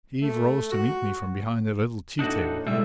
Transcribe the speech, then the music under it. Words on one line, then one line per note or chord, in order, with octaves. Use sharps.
Eve rose to meet me from behind a little tea-table.
A3
F#4
A2 D4 D#4 F#4
B1 A2 G3 G#3 E5